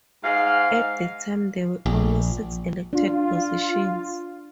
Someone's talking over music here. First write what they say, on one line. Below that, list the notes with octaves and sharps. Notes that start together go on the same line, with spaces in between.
At the time there were only six elected positions.
G#2 F5
A#1
D4 F4